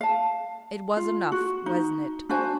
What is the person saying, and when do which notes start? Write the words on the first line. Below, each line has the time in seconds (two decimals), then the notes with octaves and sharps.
It was enough, wasn't it?
0.01 F5 A5
0.97 F4
1.32 F#4
1.66 D#4
2.29 D4 F#4 C5 G#5